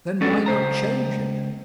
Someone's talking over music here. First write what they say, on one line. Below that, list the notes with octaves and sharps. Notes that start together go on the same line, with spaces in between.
"Then why not change it?"
G#3 B3 C#4 D4 A4 D5
C#2 C5 A#5